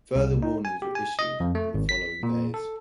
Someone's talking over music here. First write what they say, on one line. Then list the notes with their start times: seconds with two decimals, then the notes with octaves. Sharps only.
Further warnings were issued in the following days.
0.16 C2
0.43 D#4
0.65 G#5
0.82 G4
0.95 G#5
1.19 D#5
1.40 F2
1.55 A3
1.74 G#1
1.89 B6
2.23 A#2
2.54 A4